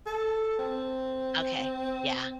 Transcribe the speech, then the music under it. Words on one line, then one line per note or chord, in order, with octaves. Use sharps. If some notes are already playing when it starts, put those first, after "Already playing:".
Okay. Yeah.
A4
C4